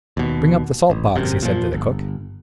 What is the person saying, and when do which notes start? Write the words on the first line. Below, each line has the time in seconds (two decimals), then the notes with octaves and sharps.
"Bring up the salt box!" he said to the cook.
0.17 D#2 B2
0.90 A1
1.16 G#1 F#2 C3
1.42 A#2 F3
1.73 G1